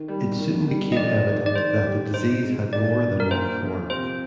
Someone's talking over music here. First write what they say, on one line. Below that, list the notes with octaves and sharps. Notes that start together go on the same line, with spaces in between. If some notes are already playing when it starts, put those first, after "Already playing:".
It soon became evident that the disease had more than one form.
Already playing: D#3
G3
D#3
G3
D#5
F2 D5
D#3
D5
D#3 C5
G4
D#4 C5
G#2
D#3 D5
G2
A#4
A#2 C5
F3
C3 C5